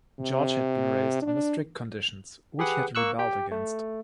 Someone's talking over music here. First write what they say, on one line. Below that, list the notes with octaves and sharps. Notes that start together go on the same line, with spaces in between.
George had been raised under strict conditions, which he had rebelled against.
C3
D4
G4 G#4 B4 F#5
A#3 C#6 E6 F#6
G4 G5
A3